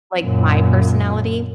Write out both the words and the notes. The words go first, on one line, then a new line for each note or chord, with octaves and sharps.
like, my personality,
F#2 A#2